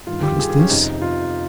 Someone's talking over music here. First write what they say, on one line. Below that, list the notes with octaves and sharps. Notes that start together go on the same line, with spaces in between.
"What is this?"
G2 D#3 F4
G4
G#4
G#4
C#4
F2 C3 F3 D#4
F4